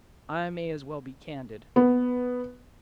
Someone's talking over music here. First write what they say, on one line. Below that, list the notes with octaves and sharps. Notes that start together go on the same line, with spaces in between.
I may as well be candid.
B3